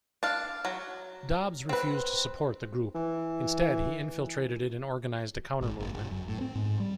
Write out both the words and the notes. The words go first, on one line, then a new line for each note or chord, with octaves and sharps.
Dobbs refused to support the group; instead, he infiltrated it and organized a counter-movement.
D4 F5
F#3
C4 B4
E3
G#1
F#1
G1
F#2
A2
C4
G#2
G3